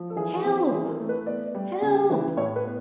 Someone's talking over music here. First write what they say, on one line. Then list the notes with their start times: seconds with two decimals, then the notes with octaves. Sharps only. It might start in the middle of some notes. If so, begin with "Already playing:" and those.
"Help, help!"
Already playing: F3
0.10 A4
0.16 E3 G#4
0.34 G#4
0.44 C4 G4
0.71 E3 G#4
0.84 A#4
0.90 A4
1.00 A3
1.09 B4
1.26 B3 D5
1.55 G3
1.82 C#3
2.10 E3
2.37 A2 C#5
2.56 B4
2.65 B3